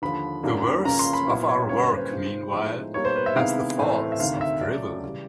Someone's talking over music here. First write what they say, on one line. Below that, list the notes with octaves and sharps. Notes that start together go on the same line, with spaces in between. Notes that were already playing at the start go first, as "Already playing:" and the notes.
The worst of our work, meanwhile, has the faults of drivel.
D#2 D3 F3 B5
F#2 D#3 F#3 A#3 D4
C#2 C#3 F3 A#3 C#4 A#5
C6
B5
A#2 F#3 B3 E4
C#5
G2 D3 G3 A#3 C#4 C#5
B4
C5
C3 D#3 G#3 C4 F4
A2 F3 G#3 B3 D#4
B2 G3 A#3 D#4 C#5
C5
B4
E5
C3 D#3 G#3 B3 E4 F5
A2 E3 A3 C4
E5
D2 C3 D#3 F5
E5
C#3 F#3 A3 C#4 D5
C#3 E3 G3